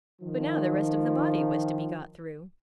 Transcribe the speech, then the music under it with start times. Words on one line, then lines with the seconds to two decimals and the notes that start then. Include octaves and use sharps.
But now the rest of the body was to be got through!
0.22 D#3 F3